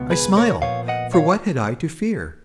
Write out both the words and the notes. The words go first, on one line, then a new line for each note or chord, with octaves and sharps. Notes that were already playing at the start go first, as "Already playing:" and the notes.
I smiled,--for what had I to fear?
Already playing: C#2 B2 B3
G#4 B4
A#4 C#5
A#2 F3 B3 C#5 F5
D#5 F#5
C#5 F5